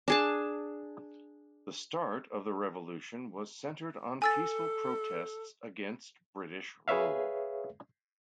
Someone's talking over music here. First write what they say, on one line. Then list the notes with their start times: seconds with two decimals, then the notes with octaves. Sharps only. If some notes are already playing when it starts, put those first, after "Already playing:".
The start of the revolution was centered on peaceful protests against British rule.
0.08 D4 G#4 A5
4.22 A4 G#5 E6 A6
6.88 G#4 B4 C#5 E5 F5